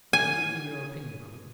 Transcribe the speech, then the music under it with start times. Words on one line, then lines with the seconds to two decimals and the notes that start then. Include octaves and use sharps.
Will you give me your opinion of it?'
0.13 G#5